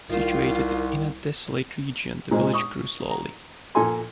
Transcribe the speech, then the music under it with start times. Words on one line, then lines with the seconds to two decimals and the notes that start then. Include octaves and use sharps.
Situated in a desolate region, the village grew slowly.
0.10 C2 D#3 F4
2.31 A#2 G#3 C5
2.53 C#6 D#6
3.11 A#5
3.75 A#2 F3 A4 G#5 C6